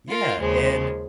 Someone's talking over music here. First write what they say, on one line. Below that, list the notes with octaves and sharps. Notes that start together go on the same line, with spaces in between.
Yeah, and
F4 A#4
D#2 C#3 F3 G#3